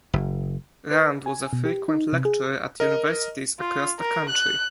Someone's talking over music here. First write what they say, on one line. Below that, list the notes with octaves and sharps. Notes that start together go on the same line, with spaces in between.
Rand was a frequent lecturer at universities across the country.
F#1
B4
G#5
B2
G4
D#4
C3
G#4
A#4 D#5
F4
A#4
F#6